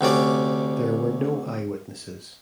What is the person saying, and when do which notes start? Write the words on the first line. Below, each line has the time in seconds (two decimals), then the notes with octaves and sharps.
There were no eyewitnesses.
0.01 D2 C3 C#4 D5